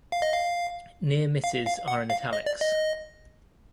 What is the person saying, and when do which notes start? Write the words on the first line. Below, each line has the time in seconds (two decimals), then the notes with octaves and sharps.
Near misses are in italics.
0.12 F5
0.22 D#5
0.34 F5
1.44 F5
1.67 F5
1.88 F#5
2.10 F5
2.33 D#5
2.46 D5
2.61 D#5